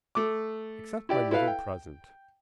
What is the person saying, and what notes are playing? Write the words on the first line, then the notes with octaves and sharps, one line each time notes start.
Accept my little present.
A3 D6
E4 G4 D5
E4 A4 B4 F5
G5